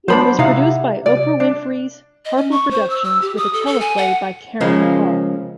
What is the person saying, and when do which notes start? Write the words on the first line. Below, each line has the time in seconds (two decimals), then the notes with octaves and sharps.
It was produced by Oprah Winfrey's Harpo Productions with a teleplay by Karen Hall.
0.08 F#3 B3 D4 C5 B5
0.39 C3 D#4 E4 F5 F#5
1.06 D5
1.40 D4
2.25 D#5
2.38 C#4
2.51 C#6
2.71 C5
2.90 E6
3.04 E6
3.22 G4
3.37 D#6
3.53 A4
3.67 A4
3.80 G#5
3.97 F#5
4.61 C#3 F3 G#3 A#3 C#4